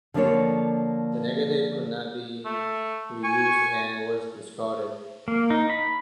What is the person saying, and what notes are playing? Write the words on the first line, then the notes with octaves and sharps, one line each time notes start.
The negative could not be re-used and was discarded.
D3 F3 A#3 D4 A4 C#5
A3
G#5 C#6
A#3
D#4
B5